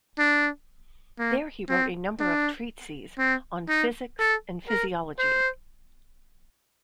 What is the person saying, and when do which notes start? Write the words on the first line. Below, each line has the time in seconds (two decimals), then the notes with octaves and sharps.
There he wrote a number of treatises on physics and physiology.
0.19 D4
1.19 A#3
1.70 C4
2.20 D4
3.19 C4
3.69 D#4
4.20 A4
4.69 A#4
5.19 C5